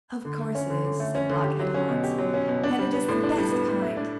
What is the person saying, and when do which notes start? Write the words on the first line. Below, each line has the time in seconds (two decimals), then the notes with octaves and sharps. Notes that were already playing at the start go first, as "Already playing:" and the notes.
'Of course it is!' said Blockhead-Hans, 'and it is the best kind!
0.25 D3
0.40 A3
0.55 C#4
0.70 D3
0.84 D3
1.00 A3
1.15 C#4
1.30 D3
1.44 G4
1.60 F#3
1.74 C#4
1.89 B2
2.04 G4
2.18 F#3
2.34 C#4
2.48 B2
2.63 D4
2.79 G3
2.93 B3
3.09 A2
3.24 D4
3.38 G3
3.52 B3
3.68 A2
3.82 E5
3.97 D4